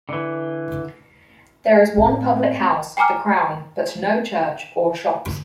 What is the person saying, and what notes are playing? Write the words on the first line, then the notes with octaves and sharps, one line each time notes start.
There is one public house, the Crown, but no church or shops.
D3 E3
A2 C4
G5 G#5 A#5 D6 F6